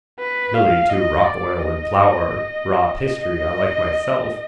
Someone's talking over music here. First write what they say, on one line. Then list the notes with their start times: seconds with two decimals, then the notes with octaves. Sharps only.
Milly too rock oil and flour. Raw pastry I like myself.
0.19 B4
0.54 F5
0.90 D#5
1.24 D5
1.60 D#5
2.99 D#5